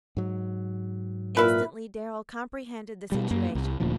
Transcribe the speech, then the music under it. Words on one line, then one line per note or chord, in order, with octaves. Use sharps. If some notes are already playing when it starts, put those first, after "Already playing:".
Instantly Darrell comprehended the situation.
G#2 F#3
A#2 E4 A#4 B4
B2 G3
F#2 A#3
C2
D#1 D2 A#2 F3